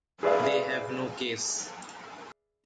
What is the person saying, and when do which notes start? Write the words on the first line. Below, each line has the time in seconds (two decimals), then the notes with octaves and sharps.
They have no case.
0.23 G#4 B4 D5 E5 F5